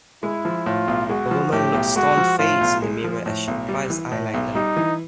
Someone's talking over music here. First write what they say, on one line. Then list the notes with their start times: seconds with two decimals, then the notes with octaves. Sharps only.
A woman looks stonefaced in the mirror as she applies eyeliner.
0.23 G#3 E4
0.45 F3
0.66 A2 F4
0.88 B1
1.09 G#3 F#4
1.31 F3
1.52 A2 G4
1.74 B1
1.96 G#3 F#4
2.18 F3
2.39 A2 F4
2.61 B1
2.82 G#3
3.04 F3
3.26 A2
3.48 B1
3.68 G3
3.90 E3
4.12 A2
4.34 B1
4.55 G3 D#4
4.77 E3